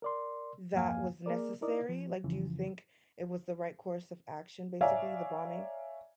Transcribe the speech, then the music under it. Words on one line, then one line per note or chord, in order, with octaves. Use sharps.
that was necessary? Like, do you think it was the right course of action, basically, the bombing?
A#4 D5 C6
E2 G2 F3 A#3 F5 G#5
A#3 G#4 A#4 D5
D#4 E4 A#4 D5 D#5
F3
F2 C#3 E3 F3
C#5 D5 E5 F5 G#5 A#5